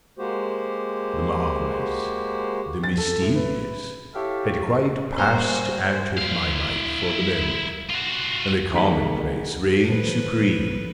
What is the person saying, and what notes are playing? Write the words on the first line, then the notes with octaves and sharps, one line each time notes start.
The Marvellous--the Mysterious--had quite passed out of my life for the moment: and the Common-place reigned supreme.
G#3 A#3 F#4 G4 C5
A6
A4
A2
B4
E4 G4 A4 C#5 E5 F5
G3 A#3 F#4 C5 G#5 A#5
E4 F5
F4 F#4
D#3 A#3 G#4 F#5 B6
F#1 D#3 F3 A4 B4 C5